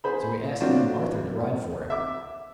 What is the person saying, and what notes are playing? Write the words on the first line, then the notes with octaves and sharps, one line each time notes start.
So he asked young Arthur to ride for it.
G#4 C5 B5
F#3 A3 C4 D4 F4 F#4
E5 D6